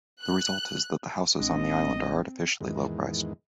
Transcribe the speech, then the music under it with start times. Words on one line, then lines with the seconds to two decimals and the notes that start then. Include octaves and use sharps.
The result is that the houses on the island are artificially low priced.
0.21 F#6
1.40 A1 G#3 C4 D4 D#5
2.61 E2 G#2 D#3 E3 G#3